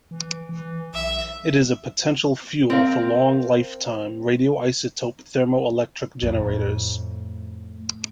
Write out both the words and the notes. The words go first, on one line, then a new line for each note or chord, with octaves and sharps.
It is a potential fuel for long-lifetime radioisotope thermoelectric generators.
E3
E3
B1 E5
C4 A#4 F5
F2 A2